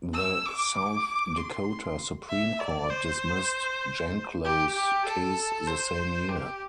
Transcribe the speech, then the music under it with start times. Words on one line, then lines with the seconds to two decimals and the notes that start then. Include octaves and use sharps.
The South Dakota Supreme Court dismissed Janklow's case the same year.
0.14 E6
0.45 D6
1.37 C6
2.29 E5
2.60 D5
2.91 C5
4.44 G4
4.75 G4
5.05 A4
5.67 C5
6.29 G4